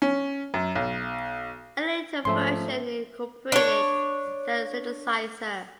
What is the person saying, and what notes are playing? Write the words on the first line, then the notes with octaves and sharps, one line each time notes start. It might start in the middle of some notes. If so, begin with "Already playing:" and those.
A later version incorporated that synthesizer.
C#4
F#2
B1
G#2 F3 A3 C#4 E5 C6
D4 C#5